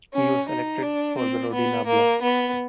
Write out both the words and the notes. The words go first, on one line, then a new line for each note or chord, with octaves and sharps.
He was elected for the Rodina bloc.
C#4
D#4
D4
C4
B3
A#3
B3